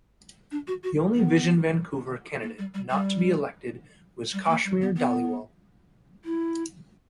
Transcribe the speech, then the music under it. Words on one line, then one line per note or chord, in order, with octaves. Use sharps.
The only Vision Vancouver candidate not to be elected was Kashmir Dhalliwal.
D4
F#4
F#4
B3
A#3
G3
G3
G3
G3
G3
A#3
G3
B3
B3
E4